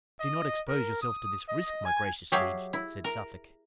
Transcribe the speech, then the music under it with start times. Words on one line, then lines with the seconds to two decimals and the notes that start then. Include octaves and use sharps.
"Do not expose yourself to this risk, my gracious liege," said Suffolk.
0.18 D#5
0.67 A#4
1.01 D#6
1.47 D#5
1.84 G#5
2.32 F#3 G4 G#4 E5 F5 G5
2.73 E4
3.04 A#4